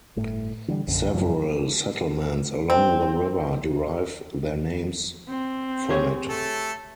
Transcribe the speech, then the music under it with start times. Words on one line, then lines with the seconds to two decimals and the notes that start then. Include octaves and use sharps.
Several settlements along the river derive their names from it.
0.16 G1 A2 A3
0.68 D3 E3 G3
0.87 A#1 F#2 D3
1.14 F#2 C#3 F3 F#3
2.70 C4
5.29 C4
5.90 G4 G#4 C#5
6.29 A3 A4